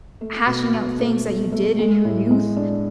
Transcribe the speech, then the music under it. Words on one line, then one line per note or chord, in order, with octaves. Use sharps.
hashing out things that you did in your youth,
A3
B2
B2
A3
A3
A3
G#3
A2
G#3
D4